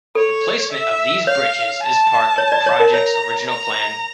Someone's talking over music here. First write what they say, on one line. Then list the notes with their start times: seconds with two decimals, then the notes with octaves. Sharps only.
Replacement of these bridges is part of the project's original plan.
0.15 A4 C#5
0.72 E5
1.26 C#5 F5
1.83 A5
2.38 C#5
2.52 D5
2.66 C#5
2.80 A#4
2.94 C#5 A#5
3.49 A#5